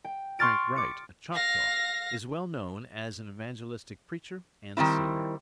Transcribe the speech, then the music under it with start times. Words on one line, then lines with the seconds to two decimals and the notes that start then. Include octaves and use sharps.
Frank Wright, a Choctaw, is well known as an evangelistic preacher and singer.
0.04 G5
0.39 C6 C#6 F6 A6 D7
0.76 D6 C#7
1.33 F5 A#6
4.77 D#3 G3 C4 E4